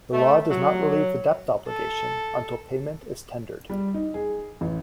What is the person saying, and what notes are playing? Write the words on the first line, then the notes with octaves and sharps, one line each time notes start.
The law does not relieve the debt obligation until payment is tendered.
A3
F#3
A4
G3
D#4
G#4
A1